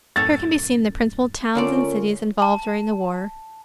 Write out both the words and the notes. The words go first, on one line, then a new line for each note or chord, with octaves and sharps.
Here can be seen the principal towns and cities involved during the war.
F#2 A2 A4 C#5 F#5 A6
D3 A3 C#4 F4 A#4 D5
A5